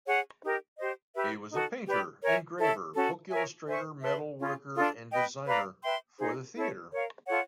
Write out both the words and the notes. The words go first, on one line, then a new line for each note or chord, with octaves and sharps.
He was a painter, engraver, book illustrator, metal worker, and designer for the theater.
G#4 C#5 F#5
D#4 G4 A#4 D#5
G4 C5 D#5
G4 B4 E5
D#4 F#4 A4
G4 B4 D5 G5
A#4 C#5 E5 G#5
E4 A4 C#5 E5
C#4 F#4 A4
A#4 C#5 E5 G#5
C5 E5 G#5 C#6
B4 E5 A5 C6
C#4 F4 G#4
D4 F4 A4
B4 D#5 G5
B4 D5 F5 A#5
B4 E5 G5 C6
D#4 G#4 C5
E4 A4 C#5
A#4 C#5 F5
F4 A4 C#5 F#5